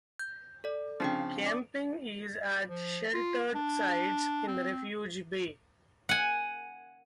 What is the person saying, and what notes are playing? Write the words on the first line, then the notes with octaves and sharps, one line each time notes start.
Camping is at sheltered sites in Refuge Bay.
G6
A4 D5
C#3 F3 C4 D4 G5
D5
F3
F4
D4
C4
F#5 G#5